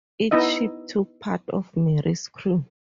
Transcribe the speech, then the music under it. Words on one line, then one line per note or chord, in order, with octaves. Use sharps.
Each ship took part of "Mary"s crew.
B3 D#4 E4 D#5 E5